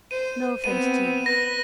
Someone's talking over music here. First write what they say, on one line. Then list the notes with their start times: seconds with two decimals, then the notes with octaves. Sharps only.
No offence to you.
0.11 C5 D#7
0.64 B3 C4 D#7
1.26 B4 A#6